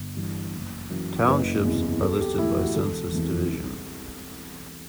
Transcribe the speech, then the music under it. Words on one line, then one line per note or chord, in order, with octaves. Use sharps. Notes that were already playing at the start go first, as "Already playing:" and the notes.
Townships are listed by census division.
Already playing: G1
G2 E3
F#1
F#2 E3
F#1 B4
E2 C3 E3
B1 A4
G4
A2 E3 E4
F#4
E1 A4
E2 C3 E3
C2